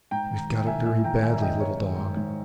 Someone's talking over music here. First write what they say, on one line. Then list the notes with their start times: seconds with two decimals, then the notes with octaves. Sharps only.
'We've got it very badly, little dog!
0.11 G#2 G5 A#5
0.30 D#3
0.49 D#3
0.56 G5
0.67 G#2 E5 G#5
0.85 D#3 E5 G#5
1.04 D#3 G5 A#5
1.23 D#3 E5 G#5
1.34 E5
1.42 D#3 D#5 G5
1.60 D#3 A#4 C#5
1.80 D#3
1.98 G#2
2.17 G#2